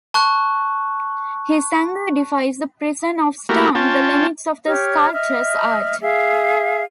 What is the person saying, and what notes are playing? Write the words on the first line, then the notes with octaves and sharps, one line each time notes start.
His anger defies the prison of stone, the limits of the sculptor's art.
A5 C#6 F#6
A3 A#3 E4 F#4 G4 A#4
C#4 F4 G5 A5
G4 C#5 F6
D#5 E5 F6
G#4 E5 F5